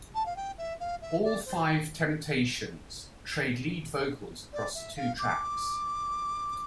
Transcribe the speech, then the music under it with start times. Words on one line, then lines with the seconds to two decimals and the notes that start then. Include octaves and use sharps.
All five Temptations trade lead vocals across the two tracks.
0.14 A5
0.25 F5
0.36 G5
0.58 E5
0.80 F5
1.02 E5
1.24 D5
1.46 C5
4.53 D5
4.75 E5
4.97 F5
5.18 D6